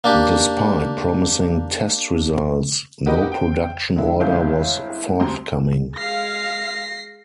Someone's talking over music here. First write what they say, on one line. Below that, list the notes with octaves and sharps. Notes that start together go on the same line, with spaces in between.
Despite promising test results no production order was forthcoming.
A#3 D4 G4
D#4 F#4 G4 A#4 B4 D#5
C5 G5
D3 G#3 E4
G1 G#3 C4 E4 F5 G6
D2 C4 G4 A#5 C6
G#3 F5 A#6 C7